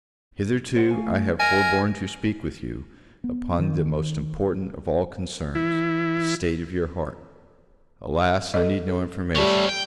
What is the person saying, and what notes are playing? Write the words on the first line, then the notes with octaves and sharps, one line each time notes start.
Hitherto I have forborne to speak with you upon the most important of all concerns, the state of your heart:-alas, I need no information!
C5 F#5
A3 F5 G#5
A#4 D#5 F5 G#5
B3
D#3
E3 E4
A4 D#5
A4
G3 A3 C#4
G5